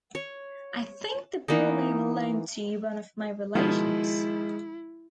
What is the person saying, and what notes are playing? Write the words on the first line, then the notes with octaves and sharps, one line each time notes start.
I think the ball may belong to one of my relations.
C#5
E3 A#3 B3 D#4
B2 D#3 F3 G#3 E4